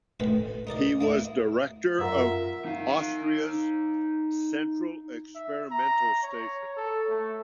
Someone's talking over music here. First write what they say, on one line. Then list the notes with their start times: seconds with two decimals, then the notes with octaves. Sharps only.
He was director of Austria's Central Experimental Station.
0.20 A1 D2 D#3 B4
0.67 D#4 A#4 D5 D#5
1.01 A#3 D#4 E4
1.99 F#2 F4 A#4 E5 F#5 A#5 E6
2.65 D#4 F5
5.35 E5
5.72 A#5
6.23 C#5
6.76 A4
7.09 A3